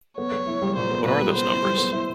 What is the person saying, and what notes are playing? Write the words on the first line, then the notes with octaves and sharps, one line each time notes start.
What are those numbers?
B3 C#5
B3
E4
G3
A#2 C5
B3
A#2 B4
G3
B3 C5
E4
G3
B3
E4